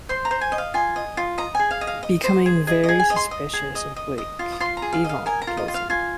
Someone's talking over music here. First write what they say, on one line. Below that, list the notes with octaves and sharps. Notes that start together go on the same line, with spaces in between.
Becoming very suspicious of Blake, Avon kills him.
C5 C6
A#5
C5
G#5
D#5
F5
F4 G#5
D#5
F4
D#5 A#5
G#4 G#5
F5
D#5
F5
D#5
C5
G#4
G#4 D#5
D#5
G#4
G#5
D#5
C6
D#5
G#4
D#5
D#5
D#5
F4
D#6
F4 C6
A#5
G#4
F5
D#5 F5
A#4 G#5
A#5
F4
D#5
F4
F5
F4 G#5